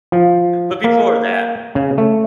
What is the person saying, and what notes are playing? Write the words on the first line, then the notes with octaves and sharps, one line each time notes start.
but before that,
F3
A#3
C#3
A3